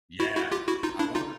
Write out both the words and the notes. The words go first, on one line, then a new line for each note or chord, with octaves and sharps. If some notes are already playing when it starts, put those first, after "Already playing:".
Yeah! I wanna
E4 F#4
E4 F#4
F4 G4
E4 F#4
D#4 F4
D4 E4
D#4 F4